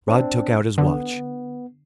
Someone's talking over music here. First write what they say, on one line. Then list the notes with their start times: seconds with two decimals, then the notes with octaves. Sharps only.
Rod took out his watch.
0.08 C4 D4
0.78 D3 B3